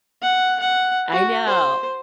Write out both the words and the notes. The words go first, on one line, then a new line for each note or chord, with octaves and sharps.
I know
F#5
F#5
F#4
C5